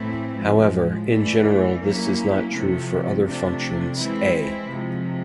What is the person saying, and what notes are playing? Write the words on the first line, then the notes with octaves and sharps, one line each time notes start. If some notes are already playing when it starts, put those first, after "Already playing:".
However, in general this is not true for other functions "A".
Already playing: A2 E3 A3 C4 E4
A2 F3 G#3
E3 A3 D4
F#3 A#3 C#4 E4
C3 F3 A3
C3 F3 A3 D4
E3 G#3 C4 E4
C3 F3 G#3